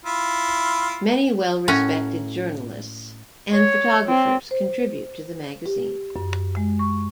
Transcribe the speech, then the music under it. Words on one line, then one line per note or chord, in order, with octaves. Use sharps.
Many well respected journalists and photographers contribute to the magazine.
E4 F4
A2 C#4 F#4 A#5
C#5
C4
C5
G4
F#2
G#3
C#6